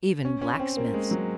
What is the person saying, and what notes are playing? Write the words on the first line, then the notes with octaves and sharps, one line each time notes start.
"Even blacksmiths!"
C#4
C#4
C#4
C4
A#3
G#3
F#3